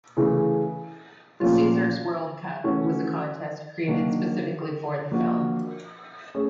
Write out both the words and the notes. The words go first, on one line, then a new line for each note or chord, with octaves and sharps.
The Caesars World Cup was a contest created specifically for the film.
C#3 E3 A3
A#2 F3 A3 C#4 F4
E3 A3 C#4 F#4 A4
D#3 F#3 A#3 D4 F#4
F3 A#3 D4 F#4 A#4
A3 C#4 G#4